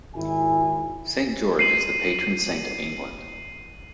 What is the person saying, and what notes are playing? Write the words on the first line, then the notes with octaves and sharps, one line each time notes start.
St George is the patron saint of England.
G#1 E4 G#5
C7 D#7 F#7